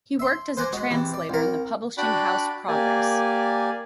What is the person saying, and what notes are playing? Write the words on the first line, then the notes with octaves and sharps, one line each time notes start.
He worked as translator in the publishing house Progress.
E5 C6
C5 F#5 G#5 A#5 D6
G#3 F#4
C3 E3
D5
C2 A#4
D4 F#4 D5 G5 B5 F#6
A#3 G4 D5 G#5